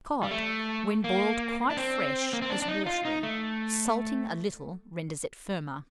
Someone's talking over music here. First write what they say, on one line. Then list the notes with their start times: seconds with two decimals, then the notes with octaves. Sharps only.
Cod, when boiled quite fresh, is watery; salting a little, renders it firmer.
0.23 G3
0.31 A3
1.04 A#3
1.70 D4
1.77 C4
2.33 A#3
2.42 C4
2.50 D4
2.62 D4
2.68 D#4
2.86 F4
3.05 D#4
3.23 A3